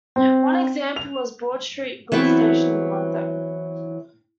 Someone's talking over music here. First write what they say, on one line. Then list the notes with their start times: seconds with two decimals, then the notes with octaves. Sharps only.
One example was Broad Street goods station in London.
0.16 C4
0.96 F7
2.12 E3 F#3 B3 C4 E4